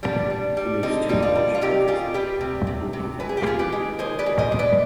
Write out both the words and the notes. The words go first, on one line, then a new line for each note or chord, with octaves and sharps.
He meets two Moorish princesses who pretend to be his relatives.
G3 B3 D4
G3
G3
D3 C4 D#4
G3 D#4
D4 F4
G3
F4
C3 D#4 G4
G3 F4 G#4
G3 G4 B4
C3
C3
C3
G#3 B4
G#4
G4
G#3 F4 G#4
G4 B4
G#3
G#3 G#4 C5
B4 D5
G#3
C5 D#5
G#3
B4 D5